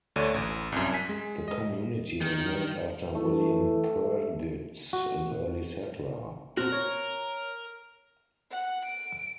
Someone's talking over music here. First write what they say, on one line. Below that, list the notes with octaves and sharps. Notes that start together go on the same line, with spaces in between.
The community was named after William Purgit, an early settler.
D2 D3 D4 C#5 D#7
A1
C2 F#2
G#5 B6
G#3
D#5
D#3
E3 A3
F#4
B2 C4 F#4 A#4
C#5
F#5
D7